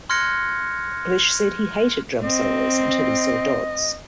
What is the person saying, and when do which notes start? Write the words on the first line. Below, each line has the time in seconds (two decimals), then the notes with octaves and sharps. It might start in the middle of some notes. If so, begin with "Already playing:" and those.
Blesh said he hated drum solos until he saw Dodds.
0.10 C6 F6 F#6 G#6 A#6 C#7
2.23 C4 D#5